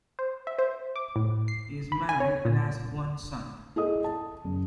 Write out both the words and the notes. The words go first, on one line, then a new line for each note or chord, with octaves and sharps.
He is married and has one son.
C5
E5
C5
D6
A2
C7
B5
G#5
C#5
A#2
E4 G#4 A4 D#5 D#6
A5
F#1